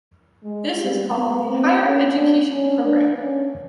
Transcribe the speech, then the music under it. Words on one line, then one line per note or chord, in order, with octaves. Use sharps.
This is called the "Higher Education Program".
G#3
G3
B3
C4
C#4
D4
C#4
D4
C#4